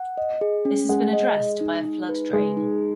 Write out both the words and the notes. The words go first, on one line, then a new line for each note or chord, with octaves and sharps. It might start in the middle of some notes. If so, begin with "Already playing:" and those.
This has been addressed by a flood drain.
Already playing: F#5
D#5
G#4
C#4
G#3 F#5
D#5
G#4
D#4
D#4
B4
G#3 G#4
D#4